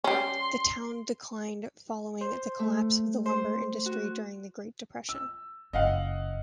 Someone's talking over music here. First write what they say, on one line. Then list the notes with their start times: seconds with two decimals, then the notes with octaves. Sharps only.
The town declined following the collapse of the lumber industry during the Great Depression.
0.04 G3 C#4 C6
2.21 C5
2.59 A3
3.26 C5
3.86 F#4
5.09 E6
5.73 F#1 D#5 F5 F#5